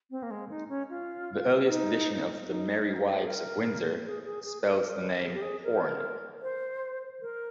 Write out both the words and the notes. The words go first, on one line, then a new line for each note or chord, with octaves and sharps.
The earliest edition of "The Merry Wives of Windsor" spells the name "Horne".
C4
A#3
G#3
D#4
C#4
F4
D#4
D#4
G#4
A#4
G#4
G#4
G#4
A#4
A#4
G#4
G4
G#4
A#4
C5
A#4